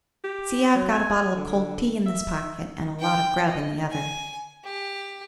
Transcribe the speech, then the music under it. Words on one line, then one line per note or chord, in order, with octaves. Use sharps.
See, I've got a bottle of cold tea in this pocket, and a lot of grub in the other.
G4
F#3
G#5
D3
E5
G5
D#5
G#5
G4